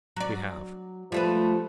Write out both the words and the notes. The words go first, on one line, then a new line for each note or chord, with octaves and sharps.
"We have."
F#3 D5
F3 G3 A3 B4